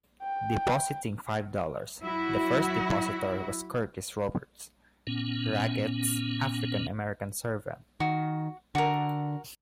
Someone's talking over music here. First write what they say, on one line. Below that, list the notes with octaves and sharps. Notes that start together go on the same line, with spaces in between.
Depositing five dollars, the first depositor was Curtis Roberts, Raguet's African American servant.
G5
F#3 E4 F#4
A#2 B3 C#4
D#3 F#4
D3 F#4 A#4